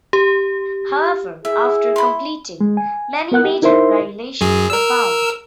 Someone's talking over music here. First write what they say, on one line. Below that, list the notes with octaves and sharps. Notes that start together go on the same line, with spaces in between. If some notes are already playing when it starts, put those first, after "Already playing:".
However, after completing many major violations were found.
G4
E4 G#4 E5
B5 C6
G#3
G#5
B3 A#4 F#5 F#6
G4
D#4 E4 A#4 C5 E5 C6
F#2 F#3 G#4
A#4 E6